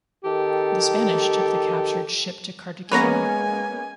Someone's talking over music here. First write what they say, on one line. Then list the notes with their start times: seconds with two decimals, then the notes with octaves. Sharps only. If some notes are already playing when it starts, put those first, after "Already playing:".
The Spanish took the captured ship to Cartagena.
0.24 D#3 G4 A4
2.91 G#3 A#3 B3 C#4 B4 C#5 G#5 A#5